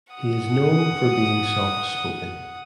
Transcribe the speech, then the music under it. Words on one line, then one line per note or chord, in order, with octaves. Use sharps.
He is known for being soft-spoken.
F#5 D#6